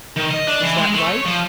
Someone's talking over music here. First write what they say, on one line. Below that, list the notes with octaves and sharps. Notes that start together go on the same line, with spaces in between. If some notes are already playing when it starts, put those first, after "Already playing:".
Is that right?
D#3
D#5
D4
E3
G#3
A3
C#5
F3